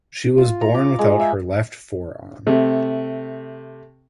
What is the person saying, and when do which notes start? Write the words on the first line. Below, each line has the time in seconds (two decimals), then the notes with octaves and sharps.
She was born without her left forearm.
0.38 F4
0.61 A#5
0.75 D6
0.99 G#3
1.19 E5
2.47 C3 A3